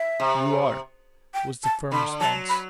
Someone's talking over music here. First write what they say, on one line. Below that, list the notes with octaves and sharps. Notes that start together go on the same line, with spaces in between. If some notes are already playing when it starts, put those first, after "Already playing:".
"You are," was the firm response.
Already playing: E5
C3
G5
A5
D3 B5
F#3 A5
B5